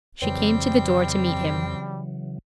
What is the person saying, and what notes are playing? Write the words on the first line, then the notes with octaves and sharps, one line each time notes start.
She came to the door to meet him.
F2 C#3 E3 F#3 G3 C4